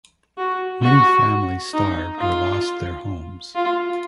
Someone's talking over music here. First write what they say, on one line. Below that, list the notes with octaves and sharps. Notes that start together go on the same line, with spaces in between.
Many families starved or lost their homes.
F#4
F#4
D#4
F4
F4